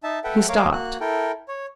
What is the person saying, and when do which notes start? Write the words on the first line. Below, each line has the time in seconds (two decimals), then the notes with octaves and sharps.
He stopped.
0.03 D#4 E5 A5
0.24 A4 B4 E5 F#5 G5
0.49 A#4 C#5 F5 D6
0.72 A#3 F#4 F#6
1.01 E4 A4 A#4 G5
1.48 C#5